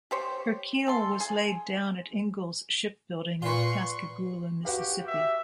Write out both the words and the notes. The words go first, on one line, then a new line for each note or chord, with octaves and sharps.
Her keel was laid down at Ingalls Shipbuilding of Pascagoula, Mississippi.
G4 C5 C#5
C#3 A4 C6
G#4
A#2 F4 B4 C6 C#6
F#4 G4 B4 F5
E5